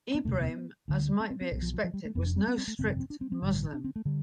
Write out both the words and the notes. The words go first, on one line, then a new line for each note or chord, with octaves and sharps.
Ibrahim, as might be expected, was no strict Muslim.
B3
E1 D2 C3 A3
B3
D2 D3
C4
C4
C4
B1 B2
F3
F3
F3
G3
A3
F1 F2 C3 B3
D4
C4
C4
C4
A3
G1 F2 C3 C4
C4
D4
C4
C4
A1 G2 D3
D4
C4
A3
D3 G3